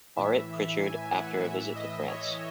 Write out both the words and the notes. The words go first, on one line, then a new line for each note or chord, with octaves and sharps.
Auret Pritchard after a visit to France.
A2 E3 E5
G#5
F#5
A2 E3 E5
D#5
C#5